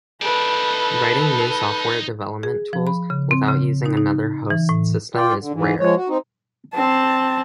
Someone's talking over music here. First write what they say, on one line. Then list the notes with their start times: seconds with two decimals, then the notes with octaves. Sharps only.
Writing new software development tools without using another host system is rare.
0.22 D#4 A4 B4 D5
2.43 G#4
2.73 F3
2.87 B5
3.10 C#3
3.31 C4
3.48 C#3
3.86 D#4
3.97 D#4
4.50 E3
4.69 A2
5.15 F4 D5 G5
5.40 D3
5.53 G#2 E3
5.80 F3 G#3 C#5
5.96 F#4
6.09 C4 D#4
6.74 C4 A5